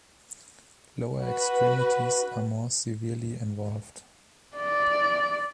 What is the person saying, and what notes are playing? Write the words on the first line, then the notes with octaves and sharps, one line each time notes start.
Lower extremities are more severely involved.
F#4 B4
D5